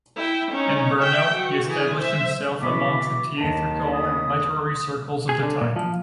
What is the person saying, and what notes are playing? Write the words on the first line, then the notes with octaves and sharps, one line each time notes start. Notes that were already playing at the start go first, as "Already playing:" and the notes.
In Brno, he established himself amongst the theatrical and literary circles of the time.
E4 G5
C#4 D#4
E5 G5
F#4
E3 G#4
C5 E5
B2 E3 D6
D#2 A5
D#6
G#4
D3
A#2
F3